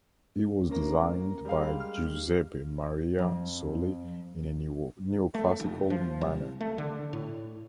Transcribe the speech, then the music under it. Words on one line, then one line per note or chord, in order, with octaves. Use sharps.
It was designed by Giuseppe Maria Soli in a Neoclassical manner.
A2 A#3 C#4 A#4 A#5
G3 G#3 F5
F6
F2
A3
F1
F3
C2
A3
D3
A2